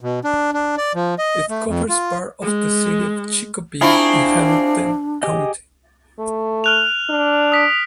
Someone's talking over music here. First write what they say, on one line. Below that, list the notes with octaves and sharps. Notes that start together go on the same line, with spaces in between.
It covers part of the city of Chicopee in Hampden County.
B2
D4
D4
D5
F3
D#5
A3
F2
F4
G#3
C4 D4 E4 F4 G#4 A#5 C#6
G4 G#4 D#5
A3
F6 F#6 F7
D4
D#6 B6 D7